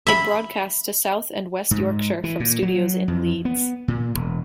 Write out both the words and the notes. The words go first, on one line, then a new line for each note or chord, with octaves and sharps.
It broadcasts to South and West Yorkshire from studios in Leeds.
E5 B5
G#2
E3
A#2
F#3
F2
B3
A#2
E1